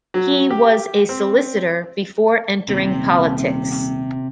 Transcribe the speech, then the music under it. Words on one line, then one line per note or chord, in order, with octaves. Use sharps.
He was a solicitor before entering politics.
F#3
G4
C4
D#1 C3